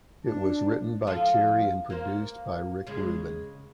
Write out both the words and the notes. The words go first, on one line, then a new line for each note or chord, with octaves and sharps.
It was written by Cherry and produced by Rick Rubin.
D4
F3 F4 A4
A#3 C5
C#3 G#3